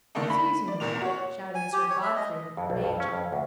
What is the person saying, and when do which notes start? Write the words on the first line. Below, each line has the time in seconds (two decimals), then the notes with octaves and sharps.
"Seize him!" shouted Sir Godfrey in a rage.
0.15 D3 A3 A#3 D4 D#4
0.30 B5
0.68 D5
0.80 F1 E2 A#2 F7
1.02 F#4 C#5
1.55 G#5
1.73 G4
1.90 C#5
2.02 E5
2.16 D#5
2.57 F2
2.70 B1
2.84 F2
3.00 C#4
3.12 F2
3.32 D2